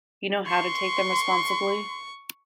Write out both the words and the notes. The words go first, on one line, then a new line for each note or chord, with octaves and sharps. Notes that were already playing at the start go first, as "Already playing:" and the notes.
You know how to take them responsibly?
C6 C#6